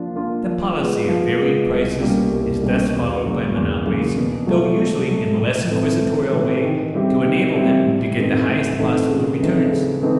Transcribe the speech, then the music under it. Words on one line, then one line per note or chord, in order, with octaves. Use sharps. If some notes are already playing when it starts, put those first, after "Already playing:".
The policy of varying prices is thus followed by monopolies, though usually in a less inquisitorial way, to enable them to get the highest possible returns.
Already playing: F3 A#3 D4 F4
A#3 D4 F4
F3
G#3 B3
F3
G#3 B3
C2
B2 G3 A#3 C#4
C2
B2 G3 A#3 C#4
E2
C#3 F#3 A#3
E2
C#3 F#3 A#3
B2
F#3 A3
B2
F#3 A3
A2
E3 A3 C4
A2
E3 A3 C4
D#3
G3 C4 E4 G4
D#3
G3 C4 E4 G4
A2
E3 A3 C4 D#4
A2
E3 A3 C4 D#4
C#3
E3 A3 C4 D#4
C#3
E3 A3 C4 D#4